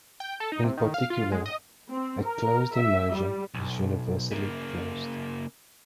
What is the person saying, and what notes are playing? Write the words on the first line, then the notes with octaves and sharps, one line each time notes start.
In particular, a closed immersion is universally closed.
G5
A4
D#4
C3
D#3
F5
F4
G#3
D#5
C4
A#4
E5
G3
B1
C#3 A#3